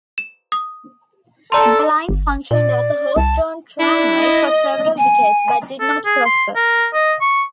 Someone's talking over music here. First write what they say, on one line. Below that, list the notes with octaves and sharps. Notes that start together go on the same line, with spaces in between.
The line functioned as a horse-drawn tramway for several decades, but did not prosper.
E7
D#6
A4 D5 A#5 C6
G1
A#2 D5
C2 A5
D4 E4
D#5
G#5
A4
G#4
C6
A#4
D#5
C#6